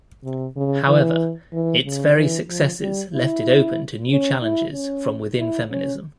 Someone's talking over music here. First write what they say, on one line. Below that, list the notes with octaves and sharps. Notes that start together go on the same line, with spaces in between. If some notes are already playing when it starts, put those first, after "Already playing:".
However its very successes left it open to new challenges from within feminism.
C3
C#3
E3
E3
C#3
E3
F3
G3
E4
C#4
E4
C#4
E4
C#4